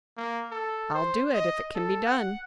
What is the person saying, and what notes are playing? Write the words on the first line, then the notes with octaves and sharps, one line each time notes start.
"I'll do it--if it can be done."
A#3
A4
C5
D#5
A4
F#5